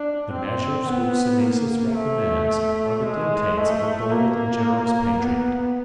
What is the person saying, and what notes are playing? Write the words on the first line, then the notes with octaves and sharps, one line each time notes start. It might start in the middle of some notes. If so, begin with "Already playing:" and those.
The measures which Synesius recommends, are the dictates of a bold and generous patriot.
Already playing: D4
C4
B3
A#3
A3
G#3
A3
A#3
B3